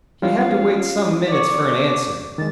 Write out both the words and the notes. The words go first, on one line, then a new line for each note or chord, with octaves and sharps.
He had to wait some minutes for an answer.
G3 C#4 F4 F5
D5 C#6 D6
D#3 G#3 A6